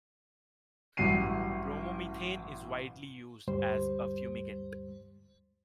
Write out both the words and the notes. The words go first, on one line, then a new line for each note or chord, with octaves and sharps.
Bromomethane is widely used as a fumigant.
A1 G2 F#3 E4 C7 D#7
D2 G2 G3 C5